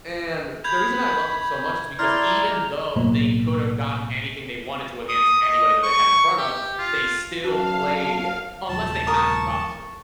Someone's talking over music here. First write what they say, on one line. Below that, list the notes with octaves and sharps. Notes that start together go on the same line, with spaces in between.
And, the reason I loved it so much is because even though they could’ve gotten anything they wanted to against anybody that they had in front of, they still played unless they had to, obviously,
B5 G6 G#6 F7
E4 D5 A#5 C6 F6
B1 A2 A#3
D#6
D#5
C#6
G4
F4
F#2 F#4 F5 A5
D#1 F3 A5
A#4 C#6 D#6